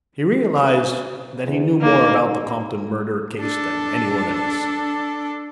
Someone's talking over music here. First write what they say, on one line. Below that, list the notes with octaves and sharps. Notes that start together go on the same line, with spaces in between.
He realized that he knew more about the Compton murder case than any one else.
E2
A#3 D#4
D4 A4